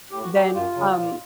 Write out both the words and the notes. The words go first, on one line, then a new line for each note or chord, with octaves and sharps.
then, um,
A2 G4
F#4
F#3 F#4
G4
F#2 F4
C#3 F#3
A#2